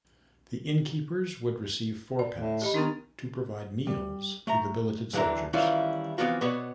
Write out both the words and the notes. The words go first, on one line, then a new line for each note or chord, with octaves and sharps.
The inn-keepers would receive fourpence to provide meals to the billeted soldiers.
D5
A2
G4 D#5 B5
D#3 B3 D4
G3
A3 A#5
F#2 D3 E3 D4 A#5
D#3 E3 G3 C#4 E4 F4
E3 F3 B3 C4 F4 F#4
B2 B3 B4 C#5 D5